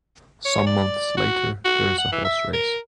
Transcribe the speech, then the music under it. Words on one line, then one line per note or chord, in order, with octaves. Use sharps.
Some months later, there is a horse race.
C#5
D5
F#4
F#4
F#5
E3
E5
A#4